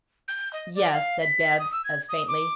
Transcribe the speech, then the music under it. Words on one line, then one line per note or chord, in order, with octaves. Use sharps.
"Yes," said Bibbs, as faintly.
G6
D#5
D5
F5
B6
D#6
E6
G#6
D#6
D6